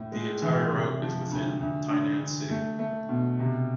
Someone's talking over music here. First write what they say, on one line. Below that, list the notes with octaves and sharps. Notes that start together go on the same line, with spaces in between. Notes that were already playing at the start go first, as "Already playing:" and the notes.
The entire route is within Tainan City.
Already playing: A2
G#3
E3
C3
F3
D2
D2
D3
D3
A3
A3
B2
C3